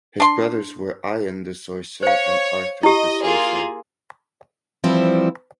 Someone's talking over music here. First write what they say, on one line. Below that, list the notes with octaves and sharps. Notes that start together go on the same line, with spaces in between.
His brothers were Ian de Zoysa and Arthur de Zoysa.
D4 C6
C5 C#5 F5
E4 G4 D#5
A#3 F4 G#4
E3 F3 G3 C4 E4